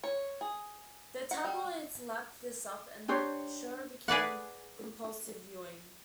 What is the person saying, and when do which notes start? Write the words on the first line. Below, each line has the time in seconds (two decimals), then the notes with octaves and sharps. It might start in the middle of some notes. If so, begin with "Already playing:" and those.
The tabloids lapped this up and the show became compulsive viewing.
0.04 C#5
0.41 G#4
1.31 F#5
1.45 G3
3.08 D4 G4 C5 C#5
4.08 G#4 B4 D5 F#5